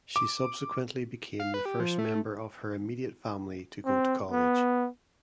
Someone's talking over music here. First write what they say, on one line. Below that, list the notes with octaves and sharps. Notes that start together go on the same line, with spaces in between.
She subsequently became the first member of her immediate family to go to college.
D6
F5
B4
G4
F3
A3
C4
B3